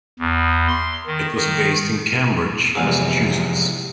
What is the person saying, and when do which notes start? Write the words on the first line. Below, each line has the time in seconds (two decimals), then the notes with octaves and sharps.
It was based in Cambridge, Massachusetts.
0.19 E2
0.68 C6
1.07 D#3
1.36 D#3
2.75 E2 G#2 C3 F3 E4 G#4